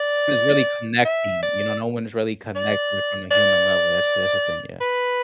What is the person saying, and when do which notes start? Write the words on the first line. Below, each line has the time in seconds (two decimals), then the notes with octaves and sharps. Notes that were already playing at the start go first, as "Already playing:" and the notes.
Is really connecting, you know? No one is really connected, like, on a human level. That's that's the thing, yeah.
Already playing: D5
1.05 E5
1.42 D5
2.55 D5
3.31 D5
4.81 B4